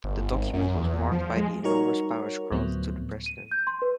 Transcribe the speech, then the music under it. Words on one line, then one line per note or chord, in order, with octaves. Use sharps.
The document was marked by the enormous powers granted to the president.
G1
G#1
F#2
E2
F3
G#3
G3 D#4 F#4 A#4 C#5
D2 A2 F3 F#3 B3 C4
D#7
G6
C6
B4